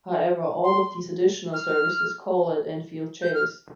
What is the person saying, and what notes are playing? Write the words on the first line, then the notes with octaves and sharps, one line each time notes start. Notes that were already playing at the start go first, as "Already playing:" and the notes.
However, all of these additional services call at Enfield Chase.
C6
F6
G6
F6